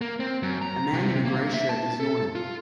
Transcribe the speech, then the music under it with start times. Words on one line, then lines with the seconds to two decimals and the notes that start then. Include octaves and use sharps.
A man in a gray shirt is yawning.
0.01 A#3
0.20 C4
0.43 F#2
0.62 A#5
0.93 C3
1.25 A#3
1.54 E5
1.69 A5
2.00 A4
2.35 F4